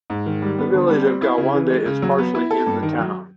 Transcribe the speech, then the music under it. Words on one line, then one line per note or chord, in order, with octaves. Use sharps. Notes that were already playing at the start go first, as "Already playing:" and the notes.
The village of Gowanda is partially in the town.
G#2
D#3
G3
B3
D3
G3
C4
E4
C#3
E3
G#3
C#3
F#3
B3
E4
A4
G2
D#3
F#3